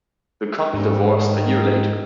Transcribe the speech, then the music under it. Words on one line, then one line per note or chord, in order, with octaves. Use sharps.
The couple divorced a year later.
G#2 G3
D#3